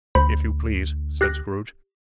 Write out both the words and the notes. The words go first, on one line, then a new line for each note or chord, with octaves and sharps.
'If you please,' said Scrooge.
D2 C5 B5
G4 F#6 A#6